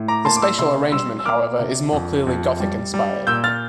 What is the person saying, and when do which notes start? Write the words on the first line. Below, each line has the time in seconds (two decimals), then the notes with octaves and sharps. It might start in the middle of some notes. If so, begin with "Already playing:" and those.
The spatial arrangement, however, is more clearly Gothic-inspired.
Already playing: A2
0.08 A#5 D6
0.25 A#3 A5 C6
0.37 D6
0.42 C6 E6
0.59 C3 C6 E6
0.92 G3 C6 E6
1.19 E6
1.25 A#3 D6 F6
1.59 C3
1.93 F2
2.27 F2
2.60 G3
2.94 G3
3.27 A#2 E6 G6
3.44 F6 A6